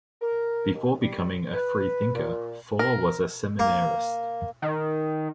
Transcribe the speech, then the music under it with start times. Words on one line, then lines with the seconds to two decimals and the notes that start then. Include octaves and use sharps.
Before becoming a free-thinker, Faure was a seminarist.
0.22 A#4
0.73 D#2
1.02 G3
1.53 B4
2.15 A#2
2.79 A#4
3.59 A#3
4.62 D#3